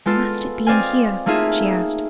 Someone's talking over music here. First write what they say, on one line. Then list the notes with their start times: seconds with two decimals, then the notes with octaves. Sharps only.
"Must it be in here?" she asked.
0.06 G#3 B3 F4 A4
0.67 C4 D5 D#5 F5 G#5
1.26 A3 A#3 D#4 F4 G#4 E5